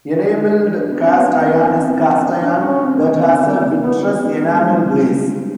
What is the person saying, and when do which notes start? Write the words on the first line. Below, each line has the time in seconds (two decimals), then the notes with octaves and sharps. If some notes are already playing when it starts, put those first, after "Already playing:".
Enameled cast iron is cast iron that has a vitreous enamel glaze.
0.60 D4
0.80 D4
0.91 B3
1.00 C4
1.16 B3
1.21 A#3
1.41 B3
1.81 C4
2.22 D4
2.42 C#4
2.62 C#4
2.83 C4
2.95 A#3
3.03 B3
3.43 A#3
3.84 B3
4.04 C#4
4.24 D4
4.45 G#3
4.60 F#3
4.64 G3